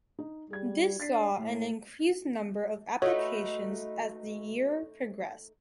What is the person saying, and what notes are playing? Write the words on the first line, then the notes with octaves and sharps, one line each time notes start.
This saw an increased number of applications as the year progressed.
D#4
G3 G#4 G#6
D4 A6 B6 C7
A2 A3
A3 D#4 F#4 B4 C#5 D#5